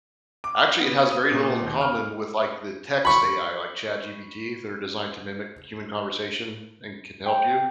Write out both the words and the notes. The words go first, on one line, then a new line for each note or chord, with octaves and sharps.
actually it has very little in common with, like, the text AI like ChatGPT that are designed to mimic human conversation and can help you.
D6
B3
D#6
A#2
D#2
F6
B5 C#6
G5